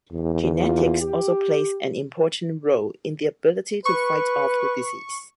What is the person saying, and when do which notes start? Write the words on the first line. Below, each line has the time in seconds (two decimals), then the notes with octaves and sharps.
Genetics also plays an important role in the ability to fight off the disease.
0.12 E2
0.62 A#3 F4
0.99 G4
3.85 B4 C#6